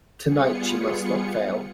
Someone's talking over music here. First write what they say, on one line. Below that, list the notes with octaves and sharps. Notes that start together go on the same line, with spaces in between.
Tonight she must not fail.
G3 B3 F4 G#4 C#7